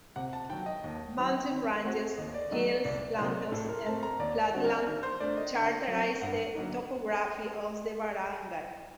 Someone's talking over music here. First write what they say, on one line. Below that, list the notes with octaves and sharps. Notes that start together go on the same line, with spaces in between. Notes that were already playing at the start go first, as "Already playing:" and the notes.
Mountain ranges, hills, plateaus, and flatland characterize the topography of the barangay.
C3 F#5
A5
D#3 F#3 G5
D#5
D#2
D#3 F#3 C4
D#3
A3 C4 F#4 A4
D#2 D#5
D5
D#3 F#3 A3 D#5
D5
C2 D5
C3 F#3 A#3 D#4 C5
A2 A4
A#4
A3 C4 A5
A#5
D#2 D5
D3 G3 C4 F#4
A#4
D#3 A#4
C5
A3 D4 D5
D#5
D3
F#3 C4
G2 F#5
D3 F#3 A#3 D#4